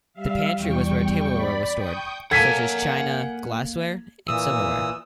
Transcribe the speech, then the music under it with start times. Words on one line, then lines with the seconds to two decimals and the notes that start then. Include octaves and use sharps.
The pantry was where tableware was stored, such as china, glassware, and silverware.
0.13 G3 E5 F5
0.57 E2 G3 G5 C#6
1.34 D5 B5
1.73 G5 C#6 D#6 G6
2.31 A#3 A4 F#5 G#5 G#6 B6 D#7
4.28 A#2 E3 D#6 E6